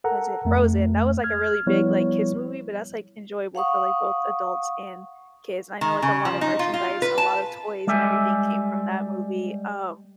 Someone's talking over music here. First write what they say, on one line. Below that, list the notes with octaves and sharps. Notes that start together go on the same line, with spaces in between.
what is it? Frozen. That was like a really big, like, kids movie but that's like enjoyable for like both adults and kids. And I know like a lot of merchandise and a lot of toys and everything came from that movie. Um
A4 A#4 F#5 A#5
F2 A3
F6 G#6
F3 G3 B3 E4 C#5
F5 F#5 C#6 D#6
D#3
C#3
F3
D#4
F4
F4
B4
A5
G3 G#3 G4 A4 E5 G#5